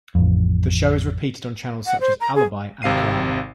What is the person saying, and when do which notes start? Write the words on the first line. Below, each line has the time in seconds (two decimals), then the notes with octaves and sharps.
The show is repeated on channels such as Alibi and Drama.
0.15 A1 F2
1.86 F#5
2.00 C5
2.20 A#5
2.35 G#4
2.82 G#1 C3 F5 C7 D#7